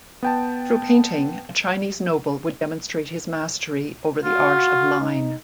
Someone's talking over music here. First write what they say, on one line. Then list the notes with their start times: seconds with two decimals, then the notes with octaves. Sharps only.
Through painting a Chinese noble would demonstrate his mastery over the art of line.
0.23 B3 G5 A5
4.24 F4 F#4
5.01 D#4